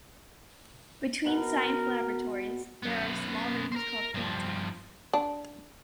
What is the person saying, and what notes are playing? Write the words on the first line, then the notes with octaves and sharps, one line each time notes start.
Between science laboratories, there are small rooms called think-tanks.
B2 A#4 F#5 B5
F#2 B3
A#4 C5
G2 F3
D4